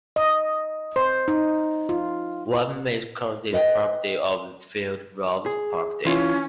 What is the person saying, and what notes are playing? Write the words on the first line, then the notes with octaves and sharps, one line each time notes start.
One may call this property of a field Rolle's property.
D#5
C5
D#4
F4
B4 D#5 F#5 G5
G#4
E3 C#4 F4